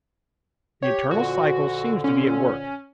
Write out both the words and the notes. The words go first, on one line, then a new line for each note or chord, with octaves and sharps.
The eternal cycle seems to be at work.
G4 C#5
F2 A#2 D3 F#4
C#4